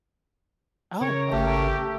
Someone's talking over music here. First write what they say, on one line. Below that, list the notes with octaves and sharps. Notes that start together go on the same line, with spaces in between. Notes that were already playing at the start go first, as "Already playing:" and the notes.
Oh, okay,
C#3 A#4 C#5
G#1 A3 G4